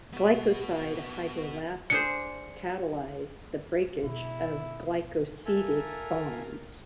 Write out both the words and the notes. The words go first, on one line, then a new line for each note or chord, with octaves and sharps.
Glycoside hydrolases catalyze the breakage of glycosidic bonds.
B3 F#4
D4 G#4 C5 C#7
B2 E4
A#3 F4 A4 A#4 E5 G#5